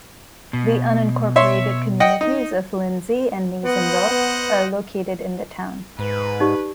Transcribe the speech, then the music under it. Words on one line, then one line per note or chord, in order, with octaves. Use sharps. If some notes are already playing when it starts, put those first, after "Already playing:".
The unincorporated communities of Lindsey and Nasonville are located in the town.
B2
C#5 E5 C6
D#5 F#5 G5
D#4
B3 C5 D#5 F#5
G#2 B4
D#4 G4 D5